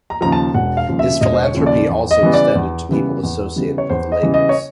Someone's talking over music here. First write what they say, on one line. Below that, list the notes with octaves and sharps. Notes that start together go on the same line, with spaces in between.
His philanthropy also extended to people associated with the Lakers.
A#5
D#2 C#3 F3 A#5
A5
E1 F#5
F5
D#2 C#3 F3
E5
E1 D#5
C5
C#5
D#2 C#3 F3
D5
E2
D#5
C#3 E3 G3 B3
D5
E2
C#3 E3 G3 B3
E2
C#3 E3 G3 B3
C#5
E2 C5
D#5
C#3 E3 G3 B3
D#5
C#5